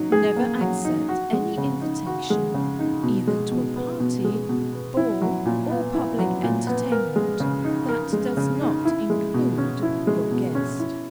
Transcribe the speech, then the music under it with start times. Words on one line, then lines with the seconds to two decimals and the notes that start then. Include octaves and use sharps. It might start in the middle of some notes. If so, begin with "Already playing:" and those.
Never accept any invitation, either to a party, ball, or public entertainment, that does not include your guest.
Already playing: F#3 D#4
0.12 G#4
0.36 A#3
0.61 F#3
0.85 D#4
1.09 F#4
1.33 G#3
1.57 C#3
1.82 D#4
2.07 F#4
2.30 G#3
2.54 C#3
2.79 D#4
3.03 B2
3.27 G#3
3.51 B2
3.76 B3
4.00 B2
4.24 G#3
4.49 B2
4.73 B3
4.97 E4
5.21 F#3
5.46 A#2
5.70 B3
5.94 E4
6.19 F#3
6.43 A#2
6.67 B3
6.92 A#4
7.16 G#3
7.40 C#3
7.64 D#4
7.89 A#4
8.13 G#3
8.37 C#3
8.61 D#4
8.85 E4
9.10 G#3
9.34 B2
9.58 C#4
9.83 E4
10.07 G#3
10.31 B2
10.55 C#4
10.80 E4